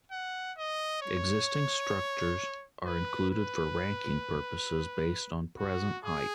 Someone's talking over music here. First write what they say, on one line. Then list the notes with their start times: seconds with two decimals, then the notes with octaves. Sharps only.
Existing structures are included for ranking purposes based on present height.
0.11 F#5
0.57 D#5
1.02 C#5
2.85 B4
3.30 B4
5.58 F#4
6.04 G#4